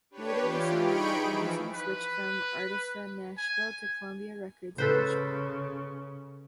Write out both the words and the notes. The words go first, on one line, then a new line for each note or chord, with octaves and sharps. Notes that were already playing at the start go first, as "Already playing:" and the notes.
Later the same year, Anderson switched from Arista Nashville to Columbia Records Nashville.
D4 G4 B4 C#5
E3 F4 G4
D#4 G#4 G5 B5 C#6 D7
E3 F3
B4
G#5
C#3 A4 B4 C5